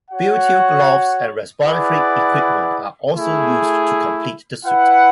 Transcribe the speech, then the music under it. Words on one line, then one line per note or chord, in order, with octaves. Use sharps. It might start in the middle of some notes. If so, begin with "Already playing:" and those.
Butyl gloves and respiratory equipment are also used to complete the suit.
F#4 C#5 F#5
E4 G#4 B4 D5 F#5
A3 E4 G#4
E4 B4 F#5